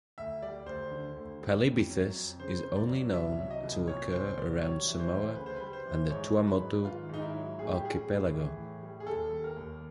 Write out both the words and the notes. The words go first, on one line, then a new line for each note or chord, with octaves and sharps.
"Palibythus" is only known to occur around Samoa and the Tuamotu Archipelago.
D2 E5
G3 D5
D2 C5
D3
D2
G3
F2
F#3
F2
C#3 C5
F2
D5
F#3
C2 E5
F#3
D#5
C2
A#2 C#5
C2 C5
F#3 D5
G3 C#5
E3
C5
D2
C#3 B4
C5
G3 B4
C5
E3
G#2 C#5
F#3
B4
G#2
D#3 F4
G#2 D#4
E4
F#3
A2 G#4
G4
G3 G#4
A2
E3
A2
G3
G#4
D#2 A4
G3
A#4
D#2